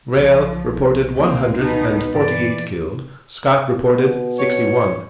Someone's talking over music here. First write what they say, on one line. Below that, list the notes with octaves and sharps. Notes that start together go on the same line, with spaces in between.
Riall reported one hundred and forty-eight killed; Scott reported sixty-one.
B1 F3
C#2 A#3 C4
B2 D#4
G2 E3 D5
B2
C#5